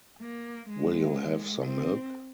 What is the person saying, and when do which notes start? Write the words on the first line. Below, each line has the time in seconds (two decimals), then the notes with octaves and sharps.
Will you have some milk?
0.22 A#3
0.69 G#3
1.65 C4